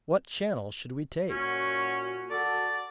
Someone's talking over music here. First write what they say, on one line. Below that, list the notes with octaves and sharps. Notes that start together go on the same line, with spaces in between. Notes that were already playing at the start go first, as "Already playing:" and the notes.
What channel should we take?
A#2 C#4 F#4
F#4 A4 D5